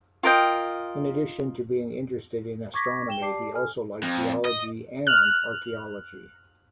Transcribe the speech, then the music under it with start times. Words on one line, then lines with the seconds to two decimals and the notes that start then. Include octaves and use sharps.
In addition to being interested in astronomy, he also liked geology and archeology.
0.23 F4 A#4 D#5 G5
2.74 C#6 D6 G#6 A#6 B6
3.08 G5 E7 G7
3.21 G4 D5 A5 D6 C7
3.53 A4 G#5 F6
4.03 F2
4.45 D#5
5.07 F6 F#6